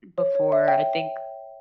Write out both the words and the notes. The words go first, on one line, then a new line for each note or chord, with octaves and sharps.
before, I think
C#5
C#5
E5
G5